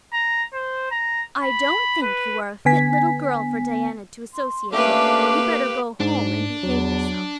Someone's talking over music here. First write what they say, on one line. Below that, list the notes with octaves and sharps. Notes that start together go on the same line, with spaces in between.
"I don't think you are a fit little girl for Diana to associate with. You'd better go home and behave yourself."
A#5
C5
A#5
B5
B4
D3 B3 G#5 B6
C6
A3 A#3 C#4 D4 G4 B4 F5 D6
G#2 D4
E2 F#3